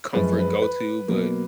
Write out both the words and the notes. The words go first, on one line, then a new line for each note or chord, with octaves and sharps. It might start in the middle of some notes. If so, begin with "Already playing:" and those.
comfort go to, but
F#2 F3 G#3 B4
B4
B4
B2 F#3 A#3